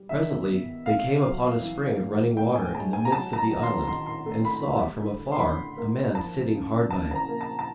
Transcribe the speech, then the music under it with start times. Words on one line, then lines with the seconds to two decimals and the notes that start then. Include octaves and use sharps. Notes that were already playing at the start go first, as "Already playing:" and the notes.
Presently they came upon a spring of running water in the midst of the island and saw from afar a man sitting hard by it.
Already playing: G3
0.09 D#3 E5
0.48 B3
0.85 C3 F5
1.23 F#3
1.61 E3
1.99 A2
2.37 A2 G5
2.56 G#5
2.74 G#3 A5
2.93 G#5
3.05 A#5
3.12 F#3 A5
3.33 A5
3.38 A#5
3.50 D#3
3.63 C6
3.87 D#3 C6
4.06 C6
4.26 A3
4.45 B5
4.63 G3
5.01 D3
5.32 C6
5.39 D3 B5
5.77 A#3
6.14 F3 A5
6.52 C#3
6.90 C#3 A5
7.11 A5
7.15 A#5
7.28 A#3
7.41 A5
7.59 A5